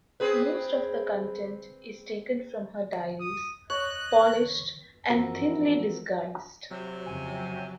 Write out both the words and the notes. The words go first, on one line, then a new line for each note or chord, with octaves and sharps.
Most of the content is taken from her diaries, polished and thinly disguised.
C4 G#4 B4
D#6
C#5 D#5 F#6
E3 F3 C4 F#4 A#4
C3 F#3
F2 C#3 G#5